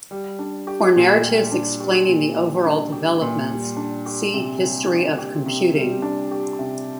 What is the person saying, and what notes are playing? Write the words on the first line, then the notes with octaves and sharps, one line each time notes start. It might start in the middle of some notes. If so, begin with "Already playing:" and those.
For narratives explaining the overall developments, see History of computing.
G3
D4
G4
A#2
G3
D4
G4
A#2
G3
D4
G4
A#2
G3
D4
G4
C3
G3
D4
G4
C3
G3
D4
G4
C3